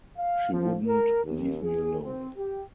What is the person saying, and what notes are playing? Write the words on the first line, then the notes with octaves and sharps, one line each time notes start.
She wouldn't leave me alone.
F5
F3
A#4
D#2
G#4
C4
G4